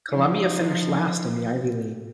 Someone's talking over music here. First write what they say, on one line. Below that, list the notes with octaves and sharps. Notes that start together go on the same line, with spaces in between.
Columbia finished last in the Ivy League.
F3 D#4